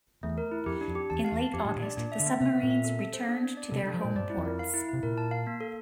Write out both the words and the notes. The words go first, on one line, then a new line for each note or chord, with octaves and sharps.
In late August, the submarines returned to their home ports.
E2 A3
A#4
E4
F2 G4
D4
F2
G4
E2 A5
F5
E2
A5
F2 G4
A2
D4
A#2
D5
A#2 D4
E5
D3
A#3
C3 E5
C4
A#2
E5
A4
A4
C5
D4
D4
D5
C3 A4
G3
D4
F3
A#2 C5
G2 D5
E4
F2
A#4
F5
E4
C3 E4
A#2 A#4
A5
F5
A#3
A4